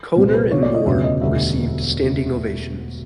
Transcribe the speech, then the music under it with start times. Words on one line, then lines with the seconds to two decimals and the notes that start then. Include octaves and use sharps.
Kohner and Moore received standing ovations.
0.16 C2 A#2 G3 B3 C5
0.28 C5
0.34 B4
0.39 C5
0.51 C#2 B2 F#3 A3 C#5
0.63 D5
0.74 D#5
0.86 E1 D2 C#3 F#3 B3 E5
1.04 D#5
1.21 E1 D2 D3 G3 E5